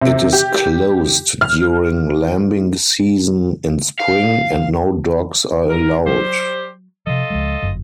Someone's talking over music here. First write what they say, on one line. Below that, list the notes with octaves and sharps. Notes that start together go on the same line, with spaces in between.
It is closed during lambing season in spring, and no dogs are allowed.
C3
G4
F6
F5
A#4
F#3 G3 G4 C5
C3 F3 F4 A4 D#5
C#2 F3 G#3
G1 F#2 F#3